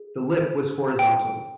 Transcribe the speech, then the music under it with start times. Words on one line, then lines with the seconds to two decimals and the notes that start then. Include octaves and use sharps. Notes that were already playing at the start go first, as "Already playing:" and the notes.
The lip was horizontal.
Already playing: G#4
0.99 G5